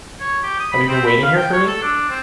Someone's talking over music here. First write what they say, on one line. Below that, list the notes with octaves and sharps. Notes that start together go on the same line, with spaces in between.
Have you been waiting here for me?
C#5
G4
D#6
B5
C4
B5
F5
G5
C#5
A4
D4
C4